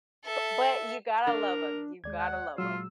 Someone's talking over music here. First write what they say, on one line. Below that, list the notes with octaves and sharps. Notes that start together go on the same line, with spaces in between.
But, you gotta love 'em, you've gotta love 'em.
A4 E5
D4 A#4
D#2 G#3 D5 G#6
F#5
A#2 F#3 G#3 F4 E6